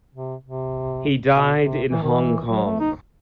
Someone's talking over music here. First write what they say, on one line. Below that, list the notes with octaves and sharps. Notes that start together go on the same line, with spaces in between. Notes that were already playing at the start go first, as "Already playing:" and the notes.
He died in Hong Kong.
C3
C3
B2
C3
E3
D#3
E3
F#3
A3
D#4